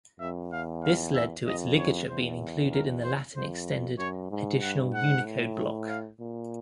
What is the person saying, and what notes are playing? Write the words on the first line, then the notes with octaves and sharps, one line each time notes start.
This led to its ligature being included in the Latin Extended Additional Unicode block.
F2 E5
E2 F5
F5
E5
F2 D#5
C#5
E2 C5
A#4
C5
F2 C5
F#2 C#5
G#2
G2 F#5
G#2 F#5
A2
F5
A#2